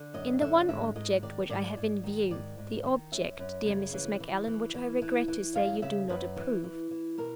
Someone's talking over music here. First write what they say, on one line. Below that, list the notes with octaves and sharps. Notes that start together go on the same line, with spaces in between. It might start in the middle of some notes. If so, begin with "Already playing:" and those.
"In the one object which I have in view--the object, dear Mrs. Macallan, which I regret to say you do not approve."
Already playing: D3
F#2 D#5
D3 E5
G#2 E5
G#2 D#5
D#3 D5
G#2 D5
G#2
D#3
G#2 D5
G#2
D#3
F#2 E5
F#2
C#3
E3
E3
E3
E3
E3
E3
F#2 F5
C#3 E5
F#2 B4
E3
E3
E3
B2 A#4